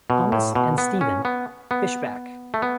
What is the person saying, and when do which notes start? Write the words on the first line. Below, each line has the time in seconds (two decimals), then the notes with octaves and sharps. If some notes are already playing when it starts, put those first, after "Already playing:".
Thomas and Stephen Fishbach.
0.10 B2
0.32 A2
0.55 B2
0.78 B3
1.01 C#4
1.25 B3
1.71 B3
2.54 A3
2.62 B3